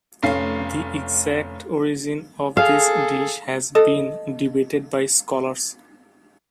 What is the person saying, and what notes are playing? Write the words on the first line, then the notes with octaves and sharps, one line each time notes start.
The exact origin of this dish has been debated by scholars.
F1 A3 C#4 F5 C7
G#4 A4 F5
A4 D#5